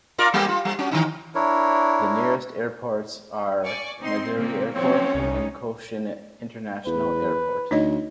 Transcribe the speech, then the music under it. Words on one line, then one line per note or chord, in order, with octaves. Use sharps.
The nearest airports are Madurai Airport and Cochin International Airport.
F4 A#4 D5
G3 A#3 G4
F4
G3
C#4 F#4
D#3 E3 D#4
D4 E4 A#4 C#5
D5 G#5 C#6
C4 D#4 C6
A#2 C#3 A#3
F3 F#3 A#3 C4 C#4 C#5
C2 A#2 G3 D#4
E2 B4
D2 D#4 C#5 D#5